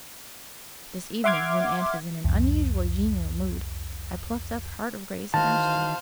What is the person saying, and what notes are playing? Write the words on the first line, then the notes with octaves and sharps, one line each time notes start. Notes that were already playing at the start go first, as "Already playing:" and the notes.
This evening, when Aunt was in an unusually genial mood, I plucked up heart of grace and asked her.
E5 F#5 C6 D6 F6 G#6
C2 F2
D#3 E3 F#4 C5 F5 A5